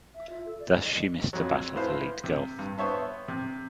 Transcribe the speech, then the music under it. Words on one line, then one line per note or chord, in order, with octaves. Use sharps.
Thus, she missed the Battle for Leyte Gulf.
E5
F4
A4
D5
D#5
F2 F#3
A2 E3 B4 C5 F5
C3
G2
B3 C5 C#5 E5 A5
C3